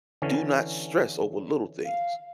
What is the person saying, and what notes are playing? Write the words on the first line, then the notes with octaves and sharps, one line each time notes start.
Do not stress over little things,
D3 E3 C#4
F5